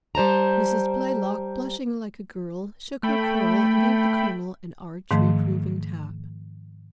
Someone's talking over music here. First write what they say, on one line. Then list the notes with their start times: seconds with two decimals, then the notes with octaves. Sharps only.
Mrs. Blaylock, blushing like a girl, shook her curl and gave the Colonel an arch, reproving tap.
0.15 G3 C5 A5 A#5
3.03 A3 G5 B5
5.11 G#2 D#3 F3 A3